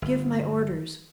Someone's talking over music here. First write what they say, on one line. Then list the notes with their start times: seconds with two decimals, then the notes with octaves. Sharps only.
Give my orders.
0.02 G1